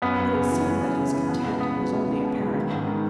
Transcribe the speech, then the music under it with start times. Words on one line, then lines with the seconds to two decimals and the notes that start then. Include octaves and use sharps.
But it seemed that his content was only apparent.
0.02 F#2 B3
0.18 F#2
0.33 C#3
0.50 E3
0.66 F#2
0.81 F#2
0.97 C#3
1.13 E3
1.28 B2 B3
1.45 C#2
1.60 B2 B3
1.77 C#2
1.93 B2
2.08 C#2
2.24 B2
2.40 C#2
2.56 D#3
2.72 G#2
2.87 D#3